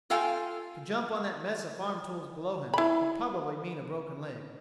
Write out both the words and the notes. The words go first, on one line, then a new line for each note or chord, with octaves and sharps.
To jump on that mess of farm tools below him would probably mean a broken leg.
F4 A4 F5 G5 G#5
E4 B5